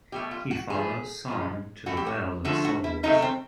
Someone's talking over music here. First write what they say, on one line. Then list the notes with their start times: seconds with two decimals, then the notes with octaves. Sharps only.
He follows Song to the Well of Souls.
0.12 B2 F#3 A3 G4
0.31 F4
0.51 F#4
0.70 A2 F3 A3 G#4
1.28 A#2 F3 G#3
1.86 A2 E3 A3 F#4
1.97 G4
2.06 F#4
2.45 D3 F3 A3 F#4
2.65 F#4
2.84 E4
3.03 C3 D#3 F#3 A3 D#4
3.22 C4